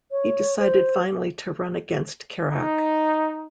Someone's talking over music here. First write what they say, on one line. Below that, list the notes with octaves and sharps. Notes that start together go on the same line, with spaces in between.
He decided finally to run against Chirac.
C#5
C5
D#4